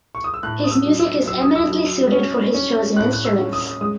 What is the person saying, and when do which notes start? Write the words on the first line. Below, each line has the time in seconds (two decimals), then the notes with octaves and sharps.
His music is eminently suited for his chosen instruments.
0.15 C#6
0.24 D#6
0.34 E6
0.43 A2 F#6
0.64 D#6
0.71 E6
0.86 F#3
1.00 E6
1.27 F#3 E6
1.42 D#6
1.55 E6
1.70 F#3
2.12 C#4
2.54 C#4
2.96 A2 F#6
3.13 F#6
3.24 E6
3.38 C#4
3.53 D#6
3.81 G#3 D#6